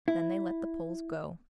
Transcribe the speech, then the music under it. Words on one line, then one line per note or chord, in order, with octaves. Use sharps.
Then they let the Poles go.
E4